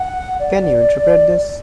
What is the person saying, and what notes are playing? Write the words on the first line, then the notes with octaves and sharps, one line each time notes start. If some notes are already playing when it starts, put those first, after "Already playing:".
Can you interpret this?
Already playing: F#5
D5